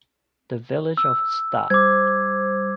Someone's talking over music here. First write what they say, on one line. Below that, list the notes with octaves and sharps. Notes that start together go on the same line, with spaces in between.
The village of Sta.
E6
G3 C5 D6 G#6